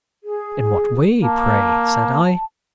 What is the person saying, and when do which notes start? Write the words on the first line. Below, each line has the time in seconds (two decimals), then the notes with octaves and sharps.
'In what way, pray?' said I.
0.24 G#4
1.23 A#3 A5